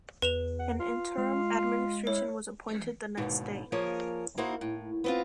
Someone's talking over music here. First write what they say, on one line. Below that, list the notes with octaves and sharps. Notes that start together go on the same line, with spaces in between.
An interim administration was appointed the next day.
E2 B4 E7 F7
F#5
F4
G#3 F4
E4 C#5
D#2 G#2 B2 D3
F3 A#3 G#4 A#4 C#5
A#3 D#4 E4 F#4 C5
A2
B3 C4 F4